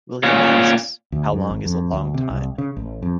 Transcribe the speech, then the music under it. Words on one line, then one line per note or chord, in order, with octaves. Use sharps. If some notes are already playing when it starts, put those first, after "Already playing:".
Williams asks, "How long is a long time?".
A#2 C#4
D2
F#2
G#1
F2
D2
C3
C2
C#3
A1
F2